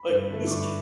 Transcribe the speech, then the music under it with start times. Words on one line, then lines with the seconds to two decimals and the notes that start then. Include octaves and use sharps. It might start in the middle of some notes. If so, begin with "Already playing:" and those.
Like, this kid
Already playing: B5
0.09 G2
0.30 D3 A3
0.47 D6
0.51 G2 C#6